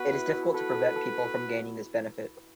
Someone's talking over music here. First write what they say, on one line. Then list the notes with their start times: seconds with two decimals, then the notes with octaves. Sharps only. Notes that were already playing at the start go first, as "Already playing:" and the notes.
It is difficult to prevent people from gaining this benefit.
Already playing: B3 F#4 B4
0.12 E4
0.33 E4
0.54 A4 B4
0.75 A4
0.96 A4